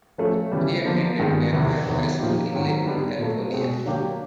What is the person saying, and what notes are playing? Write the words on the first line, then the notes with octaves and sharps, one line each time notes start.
He attended Mayfair High School in Lakewood, California.
F3 A3 C#4
C#3 E3 G3
D3 F3 A#3 D4
G2 D#3 G#3
E2 C3 E3
E2 C3 D#3 F#3 B3
A#2 F3 A#3 D#4 G4
G#2 D#3 F#3
D3 G3 B3 D#4
A#2 F#3 A3
B2 G#3 C4
D3 F#3 A#3 D4 G4